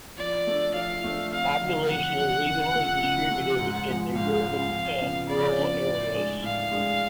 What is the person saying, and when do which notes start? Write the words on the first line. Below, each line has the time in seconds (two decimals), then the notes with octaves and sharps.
Population is evenly distributed in the urban and rural areas.
0.18 F3 D5
0.47 A3 D4
0.75 F3 F5
1.04 A3 D4
1.32 F2 F5
1.61 D3 F#3
1.88 F2 F#5
2.17 D3 F#3
2.46 C#3
2.74 F3 A3
3.03 C#3
3.31 F3 A3
3.59 G#2
3.88 F3 G#3
4.16 G#2 F5
4.45 F3 G#3
4.72 F2
5.01 C#3 F3 B3 D4
5.29 F2 D5
5.58 C#3 F3 B3 D4
5.86 A2
6.15 G#3 D4 G#4
6.43 A2 F5
6.71 G#3 D4 G#4